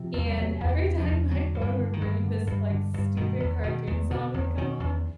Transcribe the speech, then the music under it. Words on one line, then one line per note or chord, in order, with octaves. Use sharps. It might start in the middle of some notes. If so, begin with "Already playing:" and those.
and every time my phone would ring, this, like, stupid cartoon song would come on,
Already playing: C3 F3
E2
G3
C3 F#3
E2
E3
C3
F3
E2
D3 F#3
G2
E3
D3
D#3
G2
D3
G2
D3
G2
B2 D#3
E2
B2 D#3
E2
B2 D3
E2
B2 D#3
E2